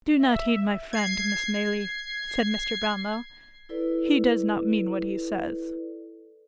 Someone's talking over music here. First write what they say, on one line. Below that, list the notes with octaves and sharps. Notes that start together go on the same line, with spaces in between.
'Do not heed my friend, Miss Maylie,' said Mr. Brownlow; 'he does not mean what he says.'
E5
G#6 C7
E4 A4 B4 D5